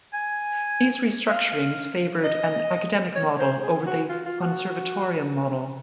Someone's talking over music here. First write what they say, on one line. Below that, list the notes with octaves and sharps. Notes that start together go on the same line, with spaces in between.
These restructurings favoured an 'Academic Model' over the 'Conservatorium Model'.
G#5
F5
D#5
C#5
C5
G#4
F#4
F4
F4
F#4